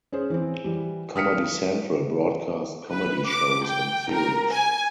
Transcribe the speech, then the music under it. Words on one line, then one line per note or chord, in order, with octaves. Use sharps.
Comedy Central broadcast comedy shows and series.
C#4 G#4 C5
E3 C4
E3 G3
D#6 F6 B6 C#7
B4
D6
G5
A#4
G#5